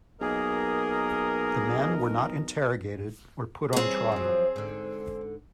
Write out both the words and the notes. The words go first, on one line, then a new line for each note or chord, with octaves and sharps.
The men were not interrogated or put on trial.
B1 A#3 G#4 A#4 D#5
E3 G3 C4 C#4 G#4
F3 F#3
G#2 D3